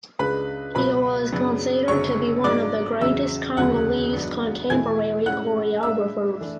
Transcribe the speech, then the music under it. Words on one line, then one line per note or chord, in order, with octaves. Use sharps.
He was considered to be one of the greatest Congolese contemporary choreographers.
C#2 C#3 G#3 D4 B4 B5
C#2 B2 F#3 B4 B5
F#2 C#3 F#3 B3 D4
F#1 F#2 D3 G#3 C#5 C#6
G#2 F#3 B3 D4 D5 D6
E2 C#3 F#3 C#4 E5 E6
E1 D2 C#3 F#3 F#5 F#6
G#1 G#2 F#3 B3 D4
E2 B2 A3 E4 G#5 G#6
A2 G#3 C#4 E4 F#5 F#6
A2 G#3 D4 E5 E6
E3 A3 D4